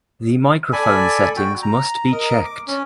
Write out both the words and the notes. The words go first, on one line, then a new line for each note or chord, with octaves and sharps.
The microphone settings must be checked.
A4 D5 G#5 B5
F#4 G5
A#5
A#4 D#5
D6
C#4